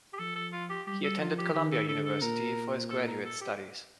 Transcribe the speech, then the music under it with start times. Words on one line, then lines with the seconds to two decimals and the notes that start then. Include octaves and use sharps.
He attended Columbia University, for his graduate studies.
0.13 G4
0.19 F3 A4
0.36 A4
0.53 F4
0.70 G4
0.87 G3 G4
1.04 A4
1.20 F3 F4
1.38 G4
1.54 D#3 G4
1.72 A4
1.88 D3 A4
2.05 A4
2.22 A#2 A#4
2.91 A4
3.07 A#4
3.24 A4
3.41 G4